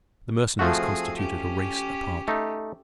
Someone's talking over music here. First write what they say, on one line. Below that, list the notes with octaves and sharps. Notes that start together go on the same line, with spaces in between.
The Mercenaries constituted a race apart.
F3 A3 C4 F#4 G#4
C#4 G4
A3 D#4